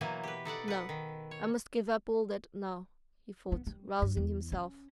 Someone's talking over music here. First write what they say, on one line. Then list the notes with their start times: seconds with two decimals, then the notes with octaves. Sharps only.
"No, I must give up all that now," he thought, rousing himself.
0.01 B2 E3 F#3 A#3 G#5
0.23 G4 B4
0.45 D#4 A4 D5 F#5
0.68 B4 F#5
0.89 D#3
1.31 C#5
3.52 B3
3.67 G3
4.02 G2
4.17 E2
4.52 C#4